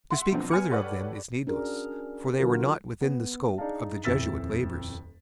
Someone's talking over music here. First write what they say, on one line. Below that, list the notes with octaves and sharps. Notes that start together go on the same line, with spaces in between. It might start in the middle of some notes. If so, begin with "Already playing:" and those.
To speak further of them is needless, for they were not within the scope of the Jesuit labors.
E5 F#5 C6
B2 D3 F3 F#3 C4
B3 G#5 F6 C#7
G4 A4 B4 C#5 D5 F#5
C#4 D4 F#4 G#4 A#4
D3 F#3 F4 F#4 A#4
B3
D4 D#4 G#4 D5 F5 A5
D#1 F2 E4 E6 A6 B6